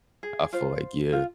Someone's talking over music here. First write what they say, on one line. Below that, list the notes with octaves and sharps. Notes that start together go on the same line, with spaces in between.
I feel like, yeah,
G#4
F4 C5
F4